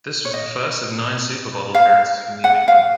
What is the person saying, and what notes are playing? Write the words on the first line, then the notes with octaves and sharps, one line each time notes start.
This was the first of nine Super Bowl appearances for New England.
C#5
D#5
F5
F#5
F5